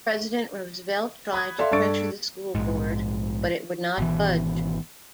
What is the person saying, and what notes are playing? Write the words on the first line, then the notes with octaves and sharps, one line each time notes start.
President Roosevelt tried to pressure the School Board, but it would not budge.
B5 D#6 F#6 G#6
A4 D5 E5 F5 C6
G2 A4 D5 C#6 A6 D7
A#1 G#2
G#1 B2 E3